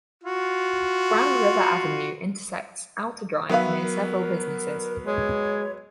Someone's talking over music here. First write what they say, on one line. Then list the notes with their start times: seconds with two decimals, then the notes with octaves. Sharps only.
Grand River Avenue intersects Outer Drive near several businesses.
0.24 F4 F#4
3.49 D#3 F#3 B3 B4 E5 F5
3.82 A#4
5.06 G#3 C#5